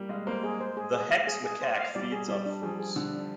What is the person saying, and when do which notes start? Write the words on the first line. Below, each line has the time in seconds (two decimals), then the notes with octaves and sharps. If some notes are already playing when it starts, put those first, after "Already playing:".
The Heck's macaque feeds on fruits.
Already playing: G3 A#3
0.09 G#3 F5
0.27 A#3 C5
0.43 G#3 G#4
0.61 C5
0.77 G#4
0.93 G#4
1.10 F5
1.27 G#4
1.44 G#4
1.62 C5
1.78 F5
1.95 G3 D5
2.12 G#4
2.28 G3 D5
2.46 D4
2.62 F3 G#4
2.79 G#4
2.96 D3 D4
3.13 D4